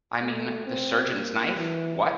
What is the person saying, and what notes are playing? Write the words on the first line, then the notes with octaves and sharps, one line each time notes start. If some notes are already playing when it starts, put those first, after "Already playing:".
I mean, the surgeon's knife, what?
A3
C4
A#3
E3